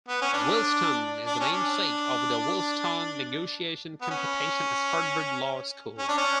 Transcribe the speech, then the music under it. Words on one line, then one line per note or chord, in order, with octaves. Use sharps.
Williston is the namesake of the Williston Negotiation Competition at Harvard Law School.
B3
C#4
D4
D4
C#4
D4
B3
C#4
C#4
D4
C#4